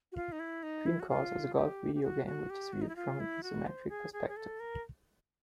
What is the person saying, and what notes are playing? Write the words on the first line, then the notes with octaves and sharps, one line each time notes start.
"Dream Course" is a golf video game which is viewed from an isometric perspective.
F#4
F4
D#4
E4
D#4
E4
F#4
F4
G4
G4
F#4
F#4
G4
F#4
D#4
E4
F4
E4
F#4
C5
G#4
G#4
G#4
A4
A#4